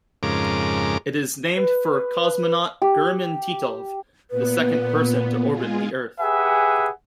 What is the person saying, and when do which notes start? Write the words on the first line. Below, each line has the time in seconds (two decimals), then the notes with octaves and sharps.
It is named for cosmonaut Gherman Titov, the second person to orbit the Earth.
0.23 F2 G#2 C#3 A#4 D6
1.56 B4
2.82 G4
4.31 A#2 B3 B4
5.51 G#3 F4 G#4
6.21 G4 G#4 B4 E5 F#5 G#5